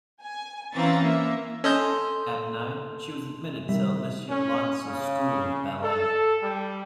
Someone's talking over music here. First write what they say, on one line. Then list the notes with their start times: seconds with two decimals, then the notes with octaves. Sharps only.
At nine, she was admitted to the Alicia Alonso School of Ballet.
0.21 G#5
0.74 E3 C4 C#4 F5 A#5 A6
1.04 A#3 E5
1.64 C#4 A4 D#5 G#5 A5 C6 G6
3.69 C3 D#3 G3 E5
4.29 C#4
4.85 C#3
5.82 A4
6.42 G3